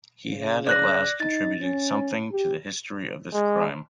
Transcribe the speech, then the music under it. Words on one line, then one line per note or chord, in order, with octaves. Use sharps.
He had at last contributed something to the history of this crime.
C#3
D5 F#6 A#6
D#4 A6
C#4
G4
G#3